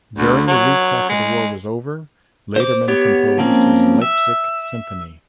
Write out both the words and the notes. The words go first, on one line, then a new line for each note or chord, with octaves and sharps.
During the weeks after the war was over, Laderman composed his Leipzig Symphony.
D2
F#3
G#3
C5 D6
B3 G4 C#5
F3 A#3 C4 C#4
E5